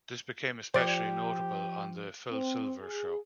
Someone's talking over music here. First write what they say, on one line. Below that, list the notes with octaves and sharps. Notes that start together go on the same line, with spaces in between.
This became especially notable on "The Phil Silvers Show".
F3 G4 C5 D5
C4
G#4